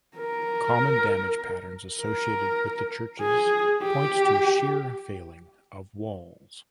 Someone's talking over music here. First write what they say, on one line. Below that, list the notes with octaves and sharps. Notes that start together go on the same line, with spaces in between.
Common damage patterns associated with the churches points to shear failing of walls.
A#4
A#4
G#4
G4